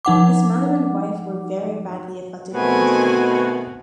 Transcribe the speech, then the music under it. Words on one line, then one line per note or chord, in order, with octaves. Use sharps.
His mother and wife were very badly affected by his death.
F3 D#4 F#5 D6
B2 D#3 A3 B3 C4 F#4 B4 G#5